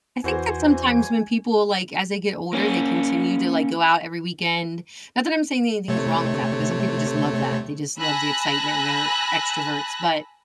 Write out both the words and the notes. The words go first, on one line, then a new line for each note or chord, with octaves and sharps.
I think that sometimes when people, like, as they get older, they continue to, like, go out every weekend not that I'm saying anything's wrong with that because some people just love that, they just love the excitement and they're extroverts, but,
E2 E3 F#4 C5 G#5
A#3 C#4
C3 A3 C#5
G#5 A5 B5 E6 F#6 A#6